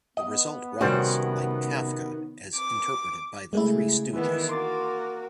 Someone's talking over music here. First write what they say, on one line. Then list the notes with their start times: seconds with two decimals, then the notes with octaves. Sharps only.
The result runs like Kafka as interpreted by the Three Stooges.
0.17 B3 D#5
0.81 C3 D#3 G3 C#4 F#4 C5
2.56 D6
3.53 C#3 G#3 A3 E4
4.13 D#3 E3 B3
4.49 A#3 F#4 C6 D6 A6